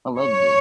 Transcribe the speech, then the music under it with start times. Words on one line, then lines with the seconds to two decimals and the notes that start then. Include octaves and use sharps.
I loved it.
0.18 C#5